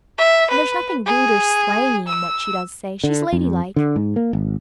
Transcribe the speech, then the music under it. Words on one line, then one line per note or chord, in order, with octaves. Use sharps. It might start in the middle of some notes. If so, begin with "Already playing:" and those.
And there's nothing rude or slangy in what she does say. She's ladylike.
E5
B4
G#4
E6
D3
F2
D3
G#2
A#3
G#1